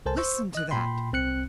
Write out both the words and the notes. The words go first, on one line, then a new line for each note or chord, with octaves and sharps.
Listen to that!
C2 A4 A#4 C5 G#5 A5
C5 C#6 E6
D#5 F#6
A#2 G5 B5 C6
C2 C4 F#6 C#7